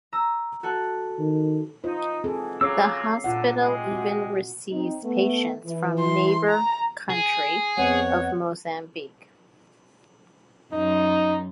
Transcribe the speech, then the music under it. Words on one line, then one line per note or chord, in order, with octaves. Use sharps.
The hospital even receives patients from neighbour country of Mozambique.
A#5 E6
F#4 A4 F#6
D#3
D#4 F4 C5
G#2 E3 C4 G#4 A4
C#3 F#3 C#4 G#4 C#5 F5 D6 E6
A#2 D3 F#3 F4 F#5
C3 G#3
C4 F#4
C4 D#4
A3 B3
E3
C6
A#5
G#4
F2 B3 C4 C#5 F#5
F#2 D#4